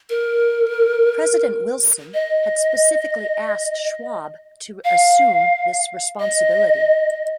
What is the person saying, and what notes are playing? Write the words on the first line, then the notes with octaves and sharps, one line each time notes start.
President Wilson had specifically asked Schwab to assume this responsibility.
A#4
D#5
F5
D#5